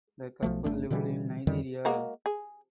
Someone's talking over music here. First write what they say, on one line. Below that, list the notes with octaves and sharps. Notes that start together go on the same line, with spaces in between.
The couple lived in Nigeria.
B1 F3 A3
G1 G#2 A3 D4
B2 D3 E3 G3
F2 D3 D#3 G3
G#3 A#3 F#4
G#4